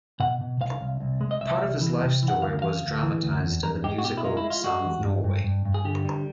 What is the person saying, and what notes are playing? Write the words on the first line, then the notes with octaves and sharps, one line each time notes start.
Part of his life story was dramatised in the musical "Song of Norway".
B2 F#5
B2
C2 F5
C2
C2
G#3
D#5
C2 E5
C2
E3
C3
E3
F#5
D2 F5
E3 F5
D2
E3
D2
E2
E2 A#4
G#3 G4
F#4
B2 G4
E4
G#3 F4
E4
G#3
F4
G#3 F#4
E2
G2
G2
G2
G2
G#4
D3 G4
G3